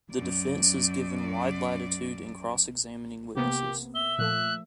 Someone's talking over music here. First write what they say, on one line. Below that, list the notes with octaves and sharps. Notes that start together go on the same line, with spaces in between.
The defense is given wide latitude in cross-examining witnesses.
F#2 D5
C3 A#3 B3 G4
E5 G7
A#2 F3 A3 F#6